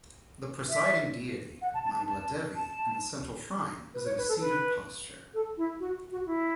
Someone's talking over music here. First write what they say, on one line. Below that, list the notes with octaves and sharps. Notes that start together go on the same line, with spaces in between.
The presiding deity, Mangaladevi in the central shrine is in a seated posture.
E5
F#5
A5
A5
A5
A5
A5
B4
C#5
B4
A4
B4
A4
E4
F#4
F#4
E4